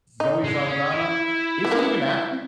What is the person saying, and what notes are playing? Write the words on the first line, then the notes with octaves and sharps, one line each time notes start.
Zoe Saldana, is she even acting?
D#4
G#3
C#4
E4
B3
A#3
B3